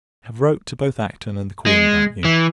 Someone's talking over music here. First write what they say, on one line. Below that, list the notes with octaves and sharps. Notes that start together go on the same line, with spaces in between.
I have wrote to both Acton and the Queen about you.
G#3
E3